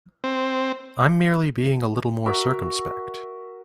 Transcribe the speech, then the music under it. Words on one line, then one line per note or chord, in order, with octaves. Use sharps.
I'm merely being a little more circumspect.
C4
F#4 A#4 E5